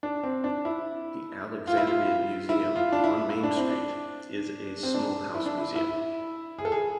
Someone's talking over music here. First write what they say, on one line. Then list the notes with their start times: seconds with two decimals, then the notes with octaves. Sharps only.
The Alexandria Museum, on Main Street, is a small house museum.
0.03 D4
0.23 C4
0.44 D4
0.65 E4
1.67 F4
1.77 E4
1.87 F4
2.49 E4
2.76 F4
2.92 D4
3.04 E4
3.30 E4
3.43 D4
3.56 C4
3.71 D4
4.83 C4
4.94 D4
5.35 E4
5.46 D4
5.58 E4
5.76 E4
6.59 G#4
6.65 A4
6.72 G#4